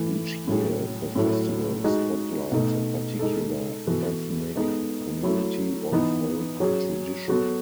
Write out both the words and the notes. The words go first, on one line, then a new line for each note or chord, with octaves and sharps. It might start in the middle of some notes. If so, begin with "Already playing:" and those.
Each year, the festival spotlights a particular ethnic community or folk tradition.
Already playing: E3 A3 E4
A2 F#3 C#4 G#4
A2 F#3 A3 E4
G#3 D#4 F#4
B2 A3 D#4
G#3 D#4 A4
E3 B3 F#4 A4
G#3 B3 D#4 A4
F#3 A3 E4
E3 B3 D#4
F#3 C#4 G#4
F#3 B3 F#4 A4